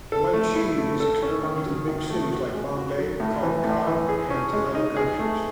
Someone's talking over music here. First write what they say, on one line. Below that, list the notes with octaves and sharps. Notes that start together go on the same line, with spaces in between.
Lychee is exported to big cities like Bombay, Kolkata and to other countries.
A4
A3
E4
A3
A4
C#4
D#3
F#3
D#3
A3
F#4
G#3
F#4
F#3
A2
E3
A2
E3
G#4
C#4
G#3
D#4
G#4
A3